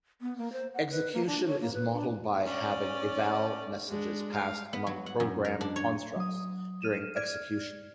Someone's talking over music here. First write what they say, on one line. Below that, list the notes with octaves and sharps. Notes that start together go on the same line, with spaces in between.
Execution is modeled by having Eval messages passed among program constructs during execution.
B3
A#3
C5
F#5
B4
A#3
D4
C#5
A#3
B4
D4
C#4 D5
G#3 D4
F5
B3
F#3
F#5
F#2
A#4
D4
C#5
F#3 D#6
F6 D#7 E7
D5 F6 G#6